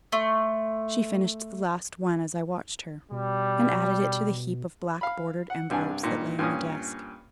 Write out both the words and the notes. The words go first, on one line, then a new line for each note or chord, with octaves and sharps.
She finished the last one as I watched her, and added it to the heap of black-bordered envelopes that lay on the desk.
A3 C6
B2 G3
F5 B5
F#5
C2 G2 D4 G#5
G2 A#2 D#3 D#4
G2 A#2 C#4 D#6